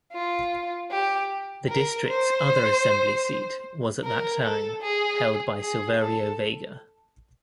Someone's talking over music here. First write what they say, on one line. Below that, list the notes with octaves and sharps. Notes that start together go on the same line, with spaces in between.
The district's other Assembly seat was at that time held by Silverio Vega.
F4
G4
A#4
C5
A#4
A4
G#4
G#4
A4